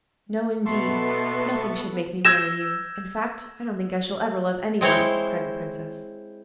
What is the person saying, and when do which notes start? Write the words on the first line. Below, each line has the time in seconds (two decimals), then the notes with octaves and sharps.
'No, indeed; nothing should make me marry you; in fact, I don't think I shall ever love anyone,' cried the Princess.
0.66 B2 B3 A4 E5 A5 C6 C#6
2.25 E6 G6 G#6 A#6 E7
4.81 G#3 C4 E4 C#5